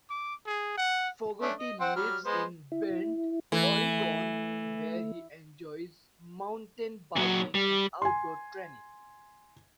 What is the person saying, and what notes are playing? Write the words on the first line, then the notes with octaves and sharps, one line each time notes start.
Fogarty lives in Bend, Oregon, where he enjoys mountain biking and outdoor training.
D6
G#4
F#5
A3 C#4 D4
D#5
C4 C5 F#5
F#3 G3 F6
G#3 B3 C5
E4
E3 A3
A#2 F#3
G3
G#5 C6